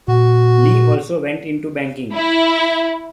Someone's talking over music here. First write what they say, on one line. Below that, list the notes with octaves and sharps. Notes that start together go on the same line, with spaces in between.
Lee also went into banking.
A#2 F#4
E4